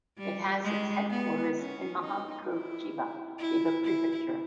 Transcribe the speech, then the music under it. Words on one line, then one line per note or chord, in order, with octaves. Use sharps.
It has its headquarters in Mihama-ku, Chiba, Chiba Prefecture.
G3
G#3
B3
C#4
D#4
E4
E4
E4